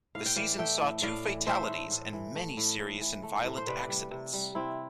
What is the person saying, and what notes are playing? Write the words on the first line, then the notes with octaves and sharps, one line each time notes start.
The season saw two fatalities and many serious and violent accidents.
A2 F5
G5
E3 D5 F5
A3 E5 G5
A2
A2 D5 F5
E3
A3 C5 E5
A2
A2
E3
A3
A2
A2
E3
A3
A2
C5
C3 B4 D5
G3
C3
G3
C3 C4 E4